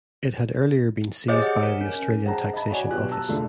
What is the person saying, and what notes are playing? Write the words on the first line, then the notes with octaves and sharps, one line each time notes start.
It had earlier been seized by the Australian Taxation Office.
G4 G#4 C5 C#5 D#5 D6
F#5
A#4
C#4
G#4 C5 F#5 G5 A5 A#5
D#5 A5 B5
F#4 C#5 D5 G#5
B2 F#3 F4 G4 F#6
A5 A#5 E6
E1 D3 A3 F4 D5